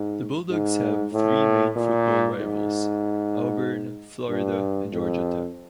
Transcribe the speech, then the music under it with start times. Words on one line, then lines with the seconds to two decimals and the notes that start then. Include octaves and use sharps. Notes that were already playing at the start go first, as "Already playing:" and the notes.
The Bulldogs have three main football rivals: Auburn, Florida, and Georgia Tech.
Already playing: G#2
0.50 G#2
1.13 A2
1.76 A#2
2.40 G#2
4.29 G2
4.93 F2